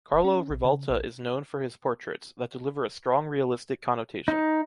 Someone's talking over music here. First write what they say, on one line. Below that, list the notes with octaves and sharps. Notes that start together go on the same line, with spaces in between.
Carlo Rivalta is known for his portraits, that deliver a strong realistic connotation.
E1
C#4
A#1
C#3
A#1
D#4